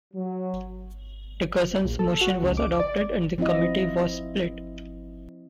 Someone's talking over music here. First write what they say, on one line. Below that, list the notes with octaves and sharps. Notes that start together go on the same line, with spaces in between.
Dickerson's motion was adopted and the committee was split.
F#3
A#1
A4
F#4
C#2
D6
D5
F3 C4 E4 F4 D#5